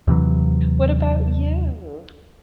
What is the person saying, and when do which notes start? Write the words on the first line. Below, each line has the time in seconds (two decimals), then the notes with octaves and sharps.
What about you?
0.07 D#2 C3 E3 F#3